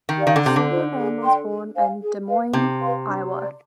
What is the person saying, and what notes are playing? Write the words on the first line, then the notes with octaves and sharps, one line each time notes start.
Silberman was born in Des Moines, Iowa.
D#3
G4 D5 F5
D#3
D3
C3 D4
D3
F4 C5
G#4
D5 G5 C6
G#4
C5 F5 G#5
G#4
B4 F5
C3 D#4
B4 F5 C6
D4
G4 D5